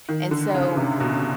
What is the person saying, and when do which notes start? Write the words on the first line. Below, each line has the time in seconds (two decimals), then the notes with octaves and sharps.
And so,
0.09 D#3
0.31 D3
0.55 C#3
0.77 C3
1.00 B2